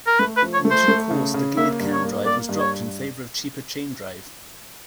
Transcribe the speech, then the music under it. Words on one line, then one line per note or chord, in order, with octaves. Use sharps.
In due course the geared cam drive was dropped in favour of cheaper chain-drive.
A#4
A3 B4
B4
F3
C#5
A3
C5
A3
C#3
C#3
A#3 E5
G2
C#5
A#3
A#3 D5
G2
C#5